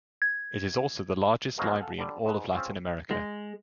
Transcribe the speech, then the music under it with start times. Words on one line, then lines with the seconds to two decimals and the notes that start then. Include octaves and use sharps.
It is also the largest library in all of Latin America.
0.22 G#6
1.58 B2 F3 F#3 G#3 A#3
1.80 A4 F5 F#5 G#5
1.98 D3 G3
2.25 G#2 B4
2.53 C4 C#4 F4 G#4
3.11 G#3